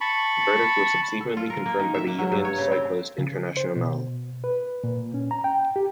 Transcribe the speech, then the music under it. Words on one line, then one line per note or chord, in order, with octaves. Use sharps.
The verdict was subsequently confirmed by the Union Cycliste Internationale.
A5 B5 C#6
A4
F4
A#4
A#3
D#3
E5
A#3
F#3
G2
C#5
C#3
C4
C#3
C5
B2
B4
A#2
C#4
A#5
G5
G4